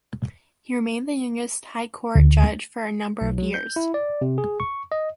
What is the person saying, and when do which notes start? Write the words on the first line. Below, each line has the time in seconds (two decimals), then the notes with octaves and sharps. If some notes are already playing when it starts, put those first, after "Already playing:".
He remained the youngest High Court judge for a number of years.
2.15 D2
3.21 B1
3.38 F#3
3.54 G6
3.76 E4
3.94 D5
4.21 C3
4.38 G#4
4.60 C#6
4.92 D#5